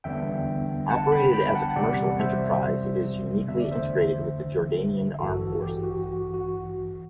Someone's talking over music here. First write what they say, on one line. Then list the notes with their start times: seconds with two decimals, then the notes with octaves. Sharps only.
Operated as a commercial enterprise, it is uniquely integrated with the Jordanian Armed Forces.
0.04 E2 D3 G3 B3 D4 E5 G5
0.90 F#5 A5
1.12 G5 B5
1.33 G5 B5
1.54 F#5 A5
1.76 E2 C3 G3 D5 F#5
2.19 C5 E5
3.47 E2 D3 A3 E5
3.60 D5
3.72 C5 E5
5.19 A1 G2 E3 F#4 A4
5.40 F#4 A4
5.62 G4
5.83 F#4
6.06 F#4
6.34 F#4